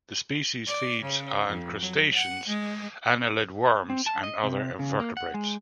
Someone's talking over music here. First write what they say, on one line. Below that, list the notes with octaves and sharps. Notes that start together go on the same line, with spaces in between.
The species feeds on crustaceans, annelid worms, and other invertebrates.
D5
C#3
F2
F#3
F#5
G#3
C4
A5
D#5
C3
C#3
A#3
F#5
G#3